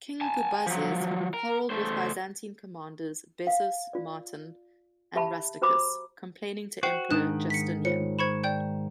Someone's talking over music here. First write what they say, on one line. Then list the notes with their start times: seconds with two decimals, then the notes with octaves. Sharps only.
King Gubazes quarreled with Byzantine commanders Bessas, Martin, and Rusticus, complaining to emperor Justinian.
0.21 G#5 A5
0.67 F3 F#3
1.34 A#4
1.70 A3 C5
3.47 F5
3.93 F4 D5
5.16 G4 E5 A5 B5
5.62 F#4 C5 A#5 B5 D6
6.83 F#4 C5 G5 C7
7.11 G#2 D#3 D4 D#4 D#6 F#6 E7
7.50 B6 C#7
7.85 F4 C5 C#5 C#7
8.19 C5 B5 C#6 G#6 C#7 E7
8.44 D5 G5 G6